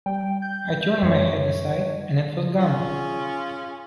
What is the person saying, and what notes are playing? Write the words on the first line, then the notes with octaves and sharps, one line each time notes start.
I turned my head aside, and it was gone.
G3 G5
G6
F#2 C#5
C#4 F4 G#4